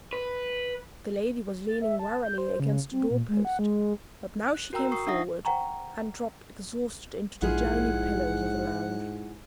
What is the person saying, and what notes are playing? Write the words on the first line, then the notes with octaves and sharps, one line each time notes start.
The lady was leaning wearily against the door-post, but now she came forward, and dropped exhausted into the downy pillows of a lounge.
B4
A6
E5
A5
G6
C5
C#3
C4
A#2
G#3
F#5
G#3
F#6
F#4 A#4 G5 A#5 E6
C#6 D#6 C7
D4 D#4 E5 F#5 D#6 A#6
C5 F#5 G5 A#5 C#6
A#1 G#2 E4 F4 G#4 F#5